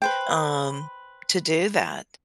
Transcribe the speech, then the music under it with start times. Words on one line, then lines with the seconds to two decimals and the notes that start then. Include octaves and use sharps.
um, to do that,
0.02 B4 C5 G5